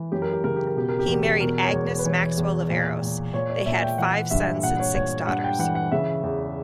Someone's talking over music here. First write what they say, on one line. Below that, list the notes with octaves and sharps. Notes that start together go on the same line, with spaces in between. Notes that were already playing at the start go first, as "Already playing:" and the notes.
He married Agnes Maxwell of Aros; they had five sons and six daughters.
Already playing: E3
F#2 G4
A#4
G4
C#3 A#4
G4
A#4
B2 G4
A#4
G4
E2
B2 A#4
C#5
E2
B4
E3 C#5
E2
A#2
A#2
A#2 C#5
D5
A#2 E5
G5
E3 F#5
G2 E5
A#2 F#5
C#5
A#2 C#5
G2 F#5
G5
E3 F#5
F#5
C#3 E5
E2